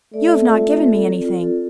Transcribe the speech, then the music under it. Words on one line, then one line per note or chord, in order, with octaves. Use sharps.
"You have not given me anything."
A3 D5
C4
F4
A4
D5
C4
F4
A4